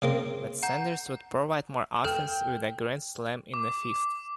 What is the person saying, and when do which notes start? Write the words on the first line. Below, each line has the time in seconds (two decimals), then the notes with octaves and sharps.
But Sanders would provide more offense with a grand slam in the fifth.
0.02 C#3 A#3 C4
0.63 F#5 A#5 G6
2.04 A4 G5 F6 E7
3.54 D6